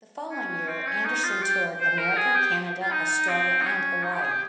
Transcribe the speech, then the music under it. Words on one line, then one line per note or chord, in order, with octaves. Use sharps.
The following year, Anderson toured America, Canada, Australia, and Hawaii.
C#4
C4
C#4
D#4
F4
G4
C5
A#4
G#4
G4
F4
D#4
C4
D#4
C#4
D#4
G4
G#4
G4